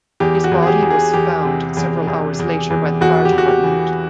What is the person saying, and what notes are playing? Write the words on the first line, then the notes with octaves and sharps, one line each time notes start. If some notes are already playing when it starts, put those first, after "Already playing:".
His body was found several hours later by the fire department.
E2 G4
F#4
E2
G#4
G4
E2
G#4
E2 G4
C3
E2
E2
E2
E2
E2 F#4
G4
E2
F#4
G4
E3